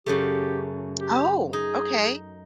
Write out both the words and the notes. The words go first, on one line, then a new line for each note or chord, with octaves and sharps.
Oh, okay.
F#2 C#3 A3 G4
G4
D#4 G#4